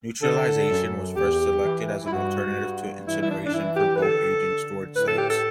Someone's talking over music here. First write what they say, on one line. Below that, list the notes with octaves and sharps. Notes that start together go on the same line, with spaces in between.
"Neutralization" was first selected as an alternative to incineration for bulk agent storage sites.
D3 A4
F#2
E2 G4
E3
E4
G2 F#4
G2
E3 E4
E4
D4
D4
E3 E4
G4
B4
D3 A4
D3
A2 B4
A4
G4
A4